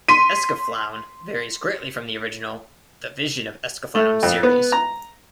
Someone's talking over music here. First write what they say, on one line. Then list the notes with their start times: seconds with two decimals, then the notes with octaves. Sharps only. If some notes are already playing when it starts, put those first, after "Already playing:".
"Escaflowne" varies greatly from the original "The Vision of Escaflowne" series.
0.08 C6 B6 D#7
3.95 A3
4.23 F2
4.43 B3
4.72 A#5